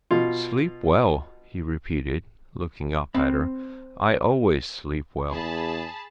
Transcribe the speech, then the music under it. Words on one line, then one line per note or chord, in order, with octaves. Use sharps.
"Sleep well," he repeated, looking up at her, "I always sleep well."
B2 F4
C4 B5
E2 G#4 A5 B5